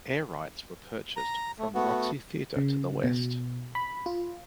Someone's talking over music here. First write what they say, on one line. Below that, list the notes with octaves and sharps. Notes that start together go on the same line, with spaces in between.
Air rights were purchased from the Roxy Theatre to the west.
A#5
A3
A3 B3 F#4
C#3
B2
B5
F4